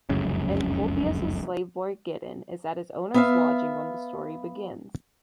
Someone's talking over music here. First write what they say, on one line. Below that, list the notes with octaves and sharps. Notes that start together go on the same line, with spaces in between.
Encolpius's slave boy, Giton, is at his owner's lodging when the story begins.
F1 C#2 F#2 C#3
B3 E5 F5